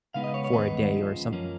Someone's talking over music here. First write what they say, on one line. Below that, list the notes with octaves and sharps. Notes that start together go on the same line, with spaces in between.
for a day or something
C#3 G#3 B3 D#4 F5
D#5
C#5
C#5
D#2 D#3 G#3 B3 D#5
C#2 C#3 F3
F#2 F3 A#3 C#4